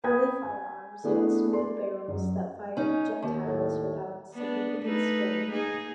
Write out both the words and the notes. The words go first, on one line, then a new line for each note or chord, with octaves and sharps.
Early firearms had smooth barrels that fired projectiles without significant spin.
G5 B5 D#6 G#6
G#5
A3 B3 D4 E4 G#4
D5 C6
F#2
C#4 D#4
D#2
A2
B3 D4
A3 D#4 B4
A#3 D#4 G#4